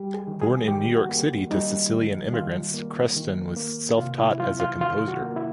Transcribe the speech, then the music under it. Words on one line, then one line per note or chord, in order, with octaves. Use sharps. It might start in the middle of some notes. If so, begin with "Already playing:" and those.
Born in New York City to Sicilian immigrants, Creston was self-taught as a composer.
Already playing: G3 G4
G#4
D#3
G#4
D#3 G4
F#4
A#3
G3 D#4
D#3
D#3 F4
A#3
D#3
A#3
C3 F4
E4
F#3 F4
F4
D#3 F4
F#4
A#3
E4